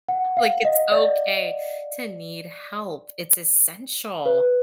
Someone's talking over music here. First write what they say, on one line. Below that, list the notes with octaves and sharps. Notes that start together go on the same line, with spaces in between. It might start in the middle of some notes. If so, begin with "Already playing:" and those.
Like, it's okay to need help, it's essential.
F#5
F5
D#5
D5
B4